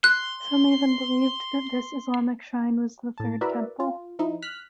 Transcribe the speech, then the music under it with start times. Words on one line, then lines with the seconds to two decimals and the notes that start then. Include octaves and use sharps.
Some even believed that this Islamic shrine was the third temple.
0.04 C6 F#6
3.18 A2 A5
3.41 E4 F#4 A#4 B4 D5 E5
3.80 F4
4.19 F3 D#4 E4
4.42 F6 F#6 B6